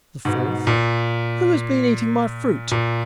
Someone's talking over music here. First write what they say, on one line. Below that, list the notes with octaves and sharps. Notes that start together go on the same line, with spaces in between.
The fourth, "Who has been eating my fruit?"
G#2 B2
A#2
A#2